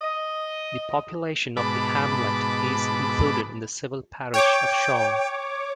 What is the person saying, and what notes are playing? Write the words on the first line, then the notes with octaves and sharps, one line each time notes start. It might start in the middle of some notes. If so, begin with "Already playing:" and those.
The population of the hamlet is included in the civil parish of Shorne.
D#5
G#2 B2 A5 B5 D6
C#5 G5 D6